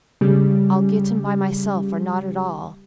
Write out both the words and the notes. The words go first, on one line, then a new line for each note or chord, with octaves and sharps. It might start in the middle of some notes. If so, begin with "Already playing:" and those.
I'll get him by myself or not at all.
C#3 G3 G4